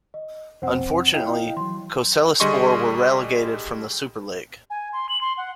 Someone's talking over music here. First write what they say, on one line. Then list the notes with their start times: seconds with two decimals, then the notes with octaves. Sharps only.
Unfotunately, Kocaelispor were relegated from the Superlig.
0.14 D#5
0.62 F2 C3 C4 C5 F#5
1.14 E4 C#5 D#5 F5 G5
1.57 E3 F#3 C6
2.40 D3 G3 G#4 D#5 C6 C#6
4.70 G#5
4.93 C6
5.09 F#7
5.21 C6
5.37 F#5